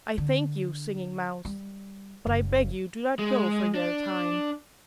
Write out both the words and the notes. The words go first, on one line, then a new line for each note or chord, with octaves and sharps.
I thank you, Singing Mouse; but I beg you do not go for yet a time.
D3
G3
F#1
G#3
D4